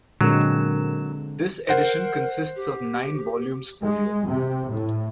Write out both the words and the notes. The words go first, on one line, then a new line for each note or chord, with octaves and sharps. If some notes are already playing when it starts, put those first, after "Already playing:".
This edition consists of nine volumes folio.
A#2 D3 F#3 G#3 C4 A#4 E7
A#4 C5 F#5
G4
G#3
C3
A2